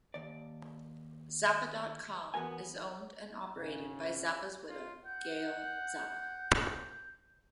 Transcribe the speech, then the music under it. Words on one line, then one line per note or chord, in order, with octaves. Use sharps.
Zappa dot com is owned and operated by Zappa's widow, Gail Zappa.
D#2 D5
E2 B3 F#4 A#4 G#5
G#1 C#3
F4
F#5 G6